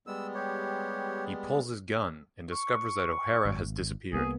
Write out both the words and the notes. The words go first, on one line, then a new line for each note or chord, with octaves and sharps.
He pulls his gun, and discovers that O'Hara has disappeared.
G3 G#3 B3 E6
G4 C#5
C#6
G#1
C2 A#3 B3 G#4